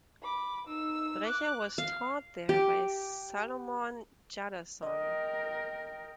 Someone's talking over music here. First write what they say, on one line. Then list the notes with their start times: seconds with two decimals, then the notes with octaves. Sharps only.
Brecher was taught there by Salomon Jadassohn.
0.23 B5 D6
0.67 D#4 E6
1.24 D6 F#6
1.78 F5
2.49 G4
4.83 A#4 D#5 G5